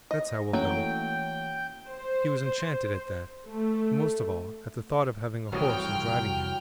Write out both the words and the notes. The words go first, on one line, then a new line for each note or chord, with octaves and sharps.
That's how we'll go.' He was enchanted at that, most of all at the thought of having a horse and driving him.
D#5 A#6
E3 F#3 A3 A#3 C#4 G5
C5
A3
F1 C2 E3 F#3 F#4 G5 D#6 F6